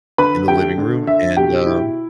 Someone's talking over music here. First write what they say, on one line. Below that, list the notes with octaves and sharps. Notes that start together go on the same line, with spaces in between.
in the living room, and, um
D3 B4 B5
A3 G4 G5
D3
D3 E5
B2 G4 G5
E4